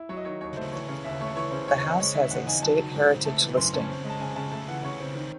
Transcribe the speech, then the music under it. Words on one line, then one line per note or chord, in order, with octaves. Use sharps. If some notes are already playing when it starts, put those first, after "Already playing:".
The house has a state heritage listing.
Already playing: E4
F#3 C#5
D#5
D#3 C#5
D#2 C#5
A3 C5
E3 C#5
C#3 C#5
D#2 E5
A3 C#5
E3 C#5
C#3 C5
D#2 C#5
C#5
C4 D#5
G#3 C#5
D#3 E5
E5
E2 F#5
D#4 G#5
F#3 A5
D#3
G#2
C4
A3 A5
E3
F#2 C6
C#4 A5
C4
G#3
A5
C#3 G#5
C#3 A5
A3 A5
E3 F#5
C#3 C#5
C4
D#3